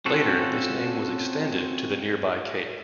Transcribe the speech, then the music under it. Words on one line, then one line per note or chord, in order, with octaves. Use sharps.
Later this name was extended to the nearby cape.
C4 C#4 F4 F#4 A4